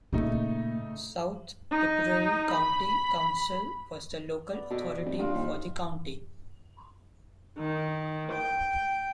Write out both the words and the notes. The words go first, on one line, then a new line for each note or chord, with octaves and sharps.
South Tipperary County Council was the local authority for the county.
A#2 C#3 A3 D#4
D#4
B5
B3 D5
B2 A4
F1
G2 F4 F#4 D#6
D#2
D#3
G5